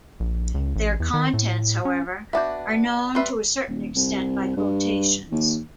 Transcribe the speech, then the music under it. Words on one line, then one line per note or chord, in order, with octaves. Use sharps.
Their contents, however, are known to a certain extent by quotations.
A#1
C#2
A1
E2
D#3
A2
C#4
B3 D4 F#4 E5 D6 G6
G3 B4 E5 C6 C7
D#1
C2
G2
D#2